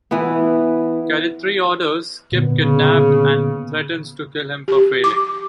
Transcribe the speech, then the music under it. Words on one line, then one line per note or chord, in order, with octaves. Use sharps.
Calitri orders Kip kidnapped and threatens to kill him for failing.
E3 B3
A#2 D3 B3
C#3
G4
D6